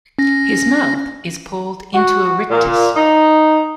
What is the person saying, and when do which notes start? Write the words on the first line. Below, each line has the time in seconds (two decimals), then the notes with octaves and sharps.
His mouth is pulled into a rictus.
0.19 C#4 A#6
1.95 F#4
2.50 A#2
2.96 D#4